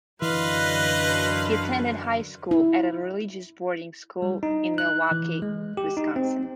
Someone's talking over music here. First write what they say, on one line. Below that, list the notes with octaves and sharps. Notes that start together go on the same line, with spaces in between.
He attended high school at a religious boarding school in Milwaukee, Wisconsin.
F#2 D3 E3 F#3 B4 D#5 F5 C6
E4
G3
D#4
F#6
E3
G#3
G4
D#4
C4